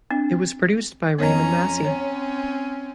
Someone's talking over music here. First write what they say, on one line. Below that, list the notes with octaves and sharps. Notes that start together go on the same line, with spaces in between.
It was produced by Raymond Massey.
C4 D4
F2 B3 C#4 C#5 D#5 A#5
C4 C#4 C#5